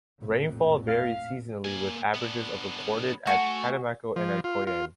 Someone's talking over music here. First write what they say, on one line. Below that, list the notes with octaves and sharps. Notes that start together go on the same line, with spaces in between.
Rainfall varies seasonally with averages of recorded at Catemaco and at Coyame.
A#1 F2 A2
F5
A#3 G#5
B3 D4
A3 F#4 G#5
F3
F4
F4